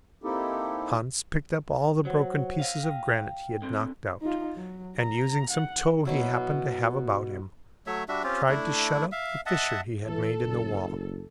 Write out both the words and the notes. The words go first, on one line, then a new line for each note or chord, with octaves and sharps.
Hans picked up all the broken pieces of granite he had knocked out, and using some tow he happened to have about him, tried to shut up the fissure he had made in the wall.
A#3 C4 D#4 E4 G4 A4
F#3 C5 C#5 F#5
D#5 F5
G5
D3 C4
D#4 F4
F#3
A#5
F#5
B2 F#3 E4
F#3 A3 C#5 E5
G3 D4 F#4 E5
C4 C#4 F4 G4
A3 D4 E4
E5 F5
D#5 E5 F#5 A5
E3 A4
F#1